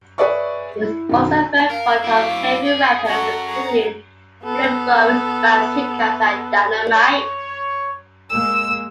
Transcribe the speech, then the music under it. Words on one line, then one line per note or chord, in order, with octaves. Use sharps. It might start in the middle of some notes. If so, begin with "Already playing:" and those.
He is also very fond of heavy weapons, including flamethrowers, bazookas, and dynamite.
G#4 B4 C#5 D5 E5 C#6
E4
B1 F#2 D#3
A#4 F5
F#3 E4 D6
G#4
C#4 F#4 A4 F#5 A#5
G#4 F#5
B3 A4
C#5
G#3 A#3 E6